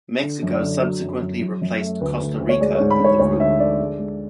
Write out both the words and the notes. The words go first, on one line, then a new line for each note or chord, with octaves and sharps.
Mexico subsequently replaced Costa Rica in the group.
D3
F#2
D5
D3
F#3
F#2
F#2
F#2
F#2
A3
D2 B4
D2
D2
C#5
G#3 D5
G#2 C#5
B5
G#2 C#5
D2 C#5
D3 E5
D3 D5
G#3
G#3